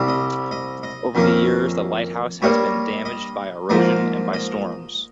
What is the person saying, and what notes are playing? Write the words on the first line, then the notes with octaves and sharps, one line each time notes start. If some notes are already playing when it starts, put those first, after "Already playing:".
Over the years, the Lighthouse has been damaged by erosion and by storms.
Already playing: C2 C3 G3
D#5
D#5
D#5
F2 D#3 A#3 C#4
G2 G3 A#3 C#5
D#5
G#2 F3 A#3 D#4
D#5